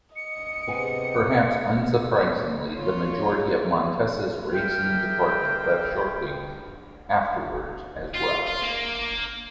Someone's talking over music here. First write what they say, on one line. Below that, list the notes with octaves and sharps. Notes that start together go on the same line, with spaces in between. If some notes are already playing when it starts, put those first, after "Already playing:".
Perhaps unsurprisingly, the majority of Montesa's racing department left shortly afterwards as well.
D#5 C#7
C3 B3 G#4
F4 C#5
G4 G#4 A#4 E5 F5 G5
F4
F4
A#3